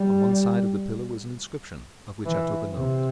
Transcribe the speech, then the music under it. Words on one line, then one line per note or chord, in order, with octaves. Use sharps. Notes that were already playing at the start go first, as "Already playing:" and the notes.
On one side of the pillar was an inscription, of which I took a note.
Already playing: G3
E3
C3